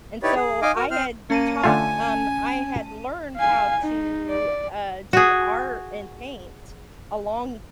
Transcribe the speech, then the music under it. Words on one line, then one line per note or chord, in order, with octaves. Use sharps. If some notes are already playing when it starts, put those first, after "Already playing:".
and so I had taught, um I had learned how to, uh, do art and paint a long,
D#4 E4 G4 B4 C#5 D5
G#4
D#4 D#5 F5 G#5 D6
F#4 A#4
C4 C5 F6
A#3 C#4 A5 D#7
D3 A3 F4 G#5
F5 G#5
D#4
D5
F#4 G#4